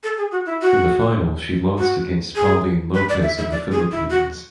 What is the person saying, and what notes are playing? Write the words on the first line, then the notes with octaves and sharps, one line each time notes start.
In the final she lost against Pauline Lopez of the Philippines.
A4
G#4
F#4
E4
F#4
F#4
G#4
B4
D5
E5
E5
D5
G#4
E4
F#4